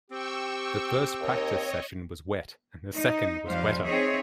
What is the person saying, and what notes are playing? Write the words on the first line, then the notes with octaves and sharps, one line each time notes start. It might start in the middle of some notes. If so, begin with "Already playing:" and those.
The first practice session was wet, and the second was wetter.
C4 G4 G5 C#6 E6
D#2 C#5 D#5
D#4
F2 G3 C5 F5
C4 D#4 G#4 C#5 E5